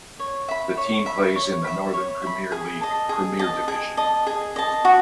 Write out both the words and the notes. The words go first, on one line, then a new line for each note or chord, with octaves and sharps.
The team plays in the Northern Premier League Premier Division.
C#5
E5 B5
C#5
E5 B5
C#5
E5 B5
C#5
E5 B5
G#4
D#5 A5
G#4
D#5 A5
G#4
D#5 A5
G#4
D#5 A5
F#4